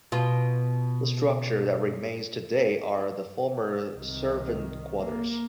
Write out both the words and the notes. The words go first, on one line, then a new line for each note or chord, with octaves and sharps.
The structure that remains today are the former servant quarters.
B2 F4
C2 D#3
A#3